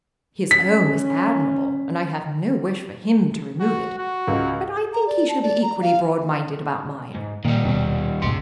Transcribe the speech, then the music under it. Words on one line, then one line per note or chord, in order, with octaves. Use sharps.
His own is admirable, and I have no wish for him to remove it, but I think he should be equally broad-minded about mine.
C#4 B6
F#4
F#4
C#2
A#5
D5
A5
D5
A#5
F5
G#2
A#2 D#3 G3
D#1 B2
E1 B1 G#2 C#3 C6